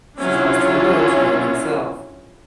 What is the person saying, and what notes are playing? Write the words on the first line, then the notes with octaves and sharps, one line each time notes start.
He has to learn to know himself.
F#3 C#4 D4 E4 F4